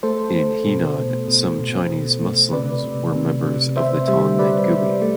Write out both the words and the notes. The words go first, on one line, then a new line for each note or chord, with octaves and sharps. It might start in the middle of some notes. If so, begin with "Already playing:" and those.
In Henan, some Chinese Muslims were members of the Tongmenghui.
A3 A4 C5
A3
B2
B2
B2
B2
B2
A3
C3 B4 D5
C3
C3
C3
C3 C5 E5
G3 C5 E5
G3 B4 D5
G3
A3